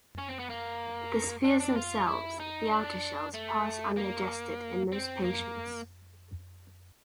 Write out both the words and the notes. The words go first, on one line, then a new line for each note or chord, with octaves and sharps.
The spheres themselves, the outer shells, pass undigested in most patients.
C#4
C4
B3
A#3
D4
D4
F4
E4
D#4
D4
A3
A#3
C4
A#3